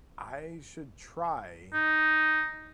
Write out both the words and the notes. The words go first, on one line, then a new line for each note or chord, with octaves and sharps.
I should try
D#4